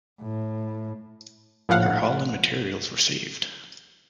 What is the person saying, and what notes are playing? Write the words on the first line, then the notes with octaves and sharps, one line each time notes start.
Her hull and materials were saved.
A2
A#1 A2 F3 F5 F#5